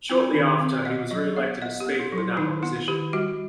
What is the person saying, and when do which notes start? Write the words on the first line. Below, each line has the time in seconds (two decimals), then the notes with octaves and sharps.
Shortly after, he was re-elected as speaker without opposition.
0.10 C4 C5
0.35 D#3
0.60 C4
0.85 B3 D#5
1.11 F#3 D#5
1.36 B3 E5
1.62 B3 D#5
1.80 G4
1.86 B3
2.00 E4
2.12 F#3
2.18 E4
2.37 D#3 D#4
2.63 B3 E4
2.88 D#3 G4
3.13 G3 F#4